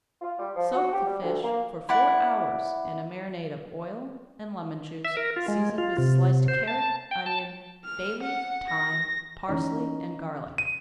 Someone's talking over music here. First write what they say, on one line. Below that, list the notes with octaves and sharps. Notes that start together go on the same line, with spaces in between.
Soak the fish for four hours in a marinade of oil and lemon-juice, seasoned with sliced carrot, onion, bay-leaf, thyme, parsley, and garlic.
F4
G3
F3
F#4
G4
G3
D2
A#3
E4 D5 F#5
E5
A#4
F4
G#3
F4
C3
C5
A5
G5
A5
F6
F#5
A#6
E3 C#4 D#4
D#7